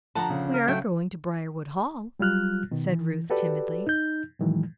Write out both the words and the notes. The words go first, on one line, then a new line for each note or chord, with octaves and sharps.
"We are going to Briarwood Hall," said Ruth, timidly.
D3 F3 F#5 A5 A#5
C#3
A#4
F#3 A3 G5
F#3 G3 F4 F6 F#6
B2 D#3
E3
F#4 G4 A4 B4 D5
D#4 G6
A2 D#3 E3 F#3 G#3